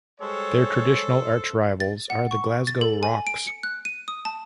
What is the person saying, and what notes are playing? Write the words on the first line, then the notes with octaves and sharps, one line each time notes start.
Their traditional arch rivals are the Glasgow Rocks.
G3 G#3 A4 C5 C#5
A6
F#5
C#6
A6
A4
G#5
D7
C#7
F#6
D#7
D#6
A5